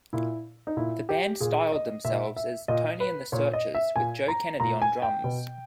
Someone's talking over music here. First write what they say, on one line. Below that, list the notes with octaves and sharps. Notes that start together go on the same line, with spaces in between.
The band styled themselves as 'Tony and the Searchers' with Joe Kennedy on drums.
A#2 E4
D#4
A#2 E4
G4
A#2 G#4
D#5
A#2 E5
E5
A#2 D#5
B4
A#2 C#5
D#5
E5
A#2 G#5
A#5
A#2 A#5
G#5
G5
B2